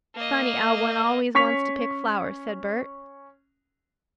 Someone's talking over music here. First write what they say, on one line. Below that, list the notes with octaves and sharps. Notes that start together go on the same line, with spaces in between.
"Funny 'ow one always wants to pick flowers," said Bert.
A#3 D#5
C#4 C#6 B6 F7